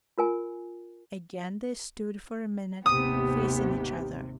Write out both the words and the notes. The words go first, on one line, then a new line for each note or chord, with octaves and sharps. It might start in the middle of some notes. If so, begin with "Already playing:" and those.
Again they stood for a minute facing each other.
F4 A#4 G#5
G#1 D#2 C3 B3 G4 D#6